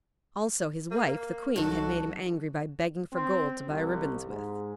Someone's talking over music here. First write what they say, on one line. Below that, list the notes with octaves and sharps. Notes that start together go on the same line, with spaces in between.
Also his wife, the Queen, had made him angry by begging for gold to buy ribbons with.
A#3
C2 D3 F#3 D#4 F#4 A4
C4
C2
G#2